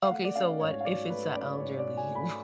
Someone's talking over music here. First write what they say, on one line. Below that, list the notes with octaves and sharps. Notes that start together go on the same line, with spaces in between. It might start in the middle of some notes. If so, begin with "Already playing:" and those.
Okay, so what if it's a elderly, wo
F5
A3 F#5
D5
C#4 F5
G#2 C#5
F5
F#3 D5
A3 B4
C#4 D5
G#2 C#5
D5
F#3
G#5
A3
B5